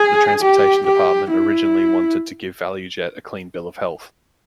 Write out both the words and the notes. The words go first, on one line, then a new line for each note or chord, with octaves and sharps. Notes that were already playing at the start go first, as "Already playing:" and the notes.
The Transportation Department originally wanted to give ValuJet a clean bill of health.
Already playing: G#4
G4
G4
E4